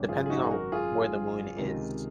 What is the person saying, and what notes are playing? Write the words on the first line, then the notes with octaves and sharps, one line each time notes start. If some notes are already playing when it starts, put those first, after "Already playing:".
depending on where the Moon is.
Already playing: G#1 F#2 C#3
F4 G#4
G#4
D#4 F#4
G#4
F#4 A#4
F4 G#4
C#2 C3 D#3